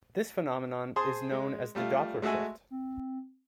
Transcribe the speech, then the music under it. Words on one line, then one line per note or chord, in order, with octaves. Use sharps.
This phenomenon is known as the Doppler shift.
G#4 C5 A5 C6 D#6
G#3
G3 A3 F4
G#3 A3 F#4 E5 G#5
C4